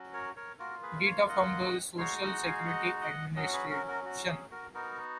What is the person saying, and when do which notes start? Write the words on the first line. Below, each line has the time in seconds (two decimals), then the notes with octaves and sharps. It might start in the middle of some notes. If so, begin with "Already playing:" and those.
Data from the Social Security Administration.
Already playing: F#3 C#4 F#4
0.13 A#4 C#5
0.36 A#4 C#5
0.59 A#3 F4 F#4 A#4
0.82 G#4 B4
1.05 C#5 F5
1.29 D#5 F#5
1.97 G#3 D#4 F#4 C#5 F5
2.21 D#5 F#5
2.44 F5 G#5
2.58 F5
2.67 D#5 F#5
3.01 D#5 F#5
3.36 F#3 C#4 F#4 D#5 F#5
3.53 G#4 B4
3.70 F#4 A#4
3.88 F#4 A#4
4.05 F#4
4.28 G#4
4.51 F#4 A#4
4.74 B3 D#4 F#4 A#4